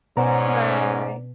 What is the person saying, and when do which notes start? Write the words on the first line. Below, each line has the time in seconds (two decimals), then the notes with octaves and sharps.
Right, right.
0.17 G#2 B2 C#4 C5 D5 F#5 A#5